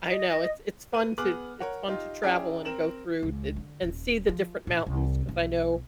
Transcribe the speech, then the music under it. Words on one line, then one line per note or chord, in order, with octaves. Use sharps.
I know it's it's fun to it's fun to travel and go through it and see the different mountains, 'cause I know,
D#5
B4 D#7
B3 G#4 D6 F6 F#6 F#7
A#4 C#5 F#5
D#4 F4 G4
C#4 E4 G#4 D5 G5 A#5
C4 A#4 E7 F#7
C#2
D3
D#1
F3
A#1
C2
B1